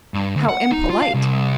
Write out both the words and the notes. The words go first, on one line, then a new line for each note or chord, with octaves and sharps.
"How impolite."
G2
D2
F#5
D#4
F4
F5
C2